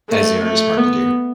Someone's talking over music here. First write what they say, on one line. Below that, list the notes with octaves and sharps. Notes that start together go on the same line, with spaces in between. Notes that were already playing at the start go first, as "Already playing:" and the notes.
That is very smart to do.
A3
A3
B3